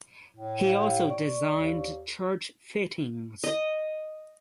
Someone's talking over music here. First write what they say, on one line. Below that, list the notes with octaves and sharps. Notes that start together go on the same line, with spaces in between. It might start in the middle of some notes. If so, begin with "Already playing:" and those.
He also designed church fittings.
A2
G4 F5
D5 C#6
D#2
D#5